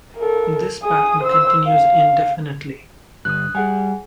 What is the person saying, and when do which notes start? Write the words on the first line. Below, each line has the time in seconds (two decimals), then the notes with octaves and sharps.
This pattern continues indefinitely.
0.17 A4 A#4
0.83 G#4 D#6
1.22 C5 E6
1.65 F5
3.25 G2 D3 D#6 F#6
3.55 G3 G#4 F#5 G#5